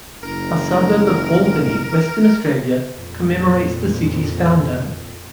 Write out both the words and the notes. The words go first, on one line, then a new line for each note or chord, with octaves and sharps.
A suburb of Albany, Western Australia, commemorates the city's founder.
F#1 A#4
F2 A#2